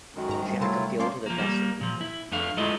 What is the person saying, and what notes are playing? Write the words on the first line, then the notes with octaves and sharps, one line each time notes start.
Jack appealed to the best in people.
F#2 D3 D#3 G#3 F#4
G#2 A#5
F3 G3 A3 D4
C3 F#3 A3 E4 F4 A#4 A5
F3 A#3 C#4 C#5 D5 C6
F3 A#3
G3 A#3
A#2 F3
E4
F2 A3 D4 F5
G#3 A3 E4 F4 D#5